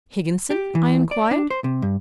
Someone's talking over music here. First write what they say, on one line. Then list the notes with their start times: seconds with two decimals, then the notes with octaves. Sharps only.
'Higginson?' I inquired.
0.50 G4
0.75 E3
1.11 D5
1.31 D4
1.50 C5
1.64 C3
1.82 G2